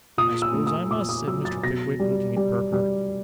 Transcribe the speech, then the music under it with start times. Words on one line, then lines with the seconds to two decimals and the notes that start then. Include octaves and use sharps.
'I suppose I must,' said Mr. Pickwick, looking at Perker.
0.18 A#2 D#6
0.42 E6
0.54 A3
0.67 D#6
0.90 A#2 D6
1.09 D#6
1.27 F#3 E6
1.45 A6
1.63 B2 A#6
1.99 G3
2.36 G3
2.73 G3